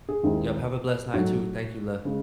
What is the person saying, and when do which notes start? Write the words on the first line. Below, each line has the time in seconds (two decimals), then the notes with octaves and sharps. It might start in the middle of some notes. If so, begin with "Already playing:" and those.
Yep, have a blessed night, too. Thank you, le
0.09 G#4
0.23 D#2 D#3 G#3 C4 E4
1.14 G#2 F#3 A3 F#4
2.05 C#3 G#3